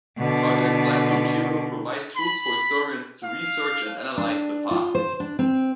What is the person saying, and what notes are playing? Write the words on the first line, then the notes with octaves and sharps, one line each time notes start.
Projects like Zotero provide tools for historians to research and analyze the past.
B2 D3
B5
F5
D4
F4
C5
D4
C4